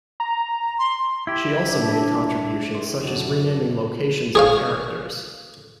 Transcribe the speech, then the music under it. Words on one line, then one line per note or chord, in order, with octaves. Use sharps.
She also made contributions such as renaming locations and characters.
A#5
C6
E4 G4
G3 D4
C5
F#2 D3 F#4
G#4 C#5 F5